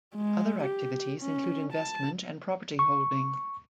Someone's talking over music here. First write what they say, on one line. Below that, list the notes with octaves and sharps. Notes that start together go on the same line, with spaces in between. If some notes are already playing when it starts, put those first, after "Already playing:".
Other activities include investment and property holding.
G#3
G4
C#4
A5
C#6